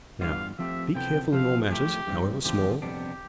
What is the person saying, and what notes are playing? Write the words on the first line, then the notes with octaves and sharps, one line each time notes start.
Now, be careful in all matters, however small.
G2 E3 B3 F4 F5
F3 A3 C4 G4 E5
C3 F3 B3 E4 A4 G5
F3 C4 G4 F5
F3 A3 E4 G4
G2 E3 G3 C4
E2 D3 F3 C4 F4 G4
F2 C3 G3 B3 D4 G4